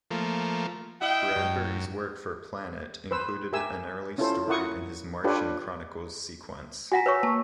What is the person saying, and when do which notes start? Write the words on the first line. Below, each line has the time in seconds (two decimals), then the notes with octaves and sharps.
Bradbury's work for "Planet" included an early story in his "Martian Chronicles" sequence.
0.11 F3 A3 A#3
1.01 E4 D#5 F5 G5
1.36 F#2
3.11 B4 C5 E6
3.53 G4 A#4 E5 G#5 E6
4.18 C#4 E4 F4 A4 C5
4.48 E4 A#4 F5 F#5 C#6 D#6
5.24 D4 F4 G4 A4 B4 C#5
6.92 F#4 F#5 G#5 A#5 A#6 B6
7.06 B4 C#5 C#6 E6
7.23 A#3 A5 C#6